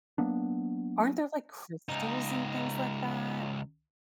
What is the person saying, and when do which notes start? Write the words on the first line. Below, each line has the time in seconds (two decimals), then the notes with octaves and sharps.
Aren't there, like, crystals and things like that?
0.18 F#3 A#3 B3 D4
1.89 C#2 D#4